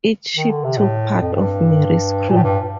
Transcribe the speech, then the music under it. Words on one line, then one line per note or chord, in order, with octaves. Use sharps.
Each ship took part of "Mary"s crew.
D#3
D3
C3
A2
F2
G2
A#2
A2
G2